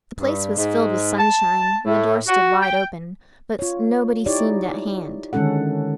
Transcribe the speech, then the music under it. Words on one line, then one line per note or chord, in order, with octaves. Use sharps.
The place was filled with sunshine, and the door stood wide open; but nobody seemed at hand.
G2
G#2
A5
A2
F#4
G5
F4 C#5
D#4 E4 G4 C#5 D5
D3 D#3 G#3 C#4 A4 F#5